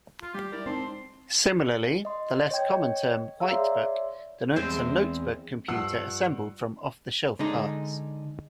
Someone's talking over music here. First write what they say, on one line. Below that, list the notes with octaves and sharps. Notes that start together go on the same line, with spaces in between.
Similarly, the less-common term "whitebook" denotes a notebook computer assembled from off-the-shelf parts.
F4
G3 G4
E4 A#4 D5
G#3 C4 D#4 A5 C6
D#5 C6
C#5 D#5 G5 G#6
G#4 C#5 F5 A#5 E6
C#5 D5 E5 C6
E2 G#3 C4 C5
G2 F3 F#5 E6 C7
D3 G#3 D#4